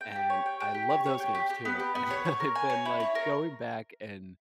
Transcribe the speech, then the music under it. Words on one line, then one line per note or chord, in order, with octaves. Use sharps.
And I love those games too, and I've been, like, going back and
G5
G4
C#5
G5
G5
G4
C#5
C#5
G4
G4
G4
B3
G4
B3
C#5
C#5
A#4
G#5
C#5
E4
C#5
A#4